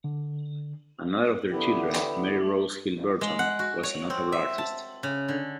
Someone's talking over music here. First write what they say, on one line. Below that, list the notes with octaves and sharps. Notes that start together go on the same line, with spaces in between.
Another of their children, Mary Rose Hill Burton, was a notable artist.
D3
D3 B3 E4 G4
A3 G4
G#3
F#5
F#4
C#5
C4
E5
A5
C#3
D3